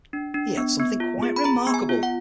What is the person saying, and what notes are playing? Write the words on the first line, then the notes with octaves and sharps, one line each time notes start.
He had something quite remarkable.
D4
D4
B3
B3
F4
G#4
B5
G#4 A#5
B3
G#5
F4
F#5